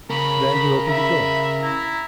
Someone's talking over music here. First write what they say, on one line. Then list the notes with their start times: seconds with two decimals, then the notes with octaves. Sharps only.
Then he opened the door.
0.10 C#3 C#4 A#4 B5
0.87 E5 B5
1.63 E4 A#5